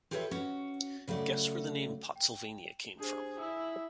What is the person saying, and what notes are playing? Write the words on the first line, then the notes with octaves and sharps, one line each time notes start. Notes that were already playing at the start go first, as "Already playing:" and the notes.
Guess where the name Potsylvania came from?
F4 G4 A4 B4 C#5 E5
C#4 F#4
C#3 F#3 A3 D5
G5
D4 G4 G#4 C5
E4 G#5 D#6 E6